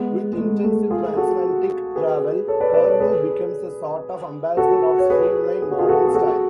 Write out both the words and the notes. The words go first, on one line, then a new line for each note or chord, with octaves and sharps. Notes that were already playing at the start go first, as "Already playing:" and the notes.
With intensive transatlantic travel, Carlu becomes a sort of ambassador of Streamline Moderne style.
Already playing: G#3 B3
G#3
A3
A3
F4 G#4
F#4 A4
G#4 B4
A4 C#5
B4 D5
B4 D5
A4 C#5
G#4 B4
F#4 A4
C#5
G#4 B4
G#4
F#4
F4 G#4
F#4 A4
G#4
F#4 A4